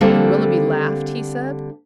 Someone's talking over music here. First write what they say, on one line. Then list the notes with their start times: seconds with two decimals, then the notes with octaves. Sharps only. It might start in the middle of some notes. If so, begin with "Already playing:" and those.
"And Willoughby laughed?" he said.
0.01 D3 G3 A#3 C4 F4 A4